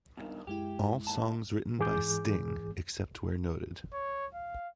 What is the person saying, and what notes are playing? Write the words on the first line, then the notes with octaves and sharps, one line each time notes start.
All songs written by Sting except where noted.
E2 G2 D#3
F#2 G#3 E4 G4
D#2 A5
G#2 E3 G#4 D6 G6
C#5
F5